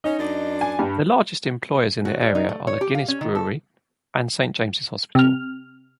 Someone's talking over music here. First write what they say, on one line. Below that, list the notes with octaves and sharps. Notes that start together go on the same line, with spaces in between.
The largest employers in the area are the Guinness Brewery and Saint James's Hospital.
C#4 D#4
F#2 D4
G#5
G2 G4
F#4
G3
D#4
A3
C#5
G4
F5
C#4
D#3
A4
C3 F6